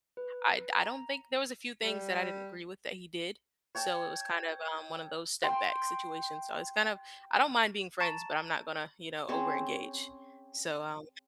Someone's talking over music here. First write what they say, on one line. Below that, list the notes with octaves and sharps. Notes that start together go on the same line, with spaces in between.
I d I don't think There was a few things that I didn't agree with that he did. So, it was kind of, um, one of those step back situations, so I was kind of I don't mind being friends, but I'm not gonna, you know, over-engage. So, um
B4
A#5
G3
C#5 G5 A5
G5 C6
A5 A#5 C#6 A6 E7
C4 C#4 G#4